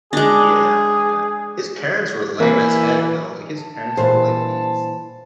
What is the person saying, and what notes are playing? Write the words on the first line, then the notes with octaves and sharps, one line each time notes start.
Yeah. Yeah. His parents were lame as heck, though. Like, his parents were, like, these
G#3 D4 G#4
E3 A#3
A5
A#2 E3 C5